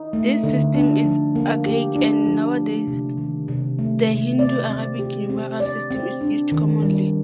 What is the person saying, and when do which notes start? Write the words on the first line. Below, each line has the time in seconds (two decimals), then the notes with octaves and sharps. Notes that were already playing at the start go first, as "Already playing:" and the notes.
This system is archaic and nowadays the Hindu–Arabic numeral system is used commonly.
Already playing: D#4
0.13 A3
0.43 D3
0.75 D4
1.04 F3
1.35 A#3
1.66 G4
1.95 D4
2.26 F3
2.56 A3
2.87 C3
3.17 D#3
3.48 C3
3.79 A3
4.08 C3
4.39 D5
4.69 C4
4.99 G4
5.30 C4
5.60 D5
5.91 C4
6.21 D4
6.52 D#3
6.82 G3